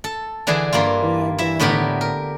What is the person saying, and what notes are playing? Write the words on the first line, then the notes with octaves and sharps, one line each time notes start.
And, um
A4
D3 E3 D4 E4 G#4
G2 A#3 E4 F4
E4 E5
A2 D3 B3 G4 A#4 B5
A#4